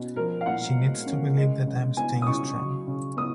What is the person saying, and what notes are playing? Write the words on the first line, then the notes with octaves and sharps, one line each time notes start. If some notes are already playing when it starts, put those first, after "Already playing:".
She needs to believe that I'm staying strong.
Already playing: B2 C#4
F3 A#4
F5
A#2 F#5
G#3
C#4
G#3
C#3
B3 G#5
D#6
C#3 C#6
F#3
C#3
B3 D#6